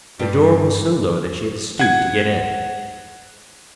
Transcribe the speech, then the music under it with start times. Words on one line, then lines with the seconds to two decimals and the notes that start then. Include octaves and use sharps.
The door was so low that she had to stoop to get in.
0.19 G2 G3
1.79 F#5 G#6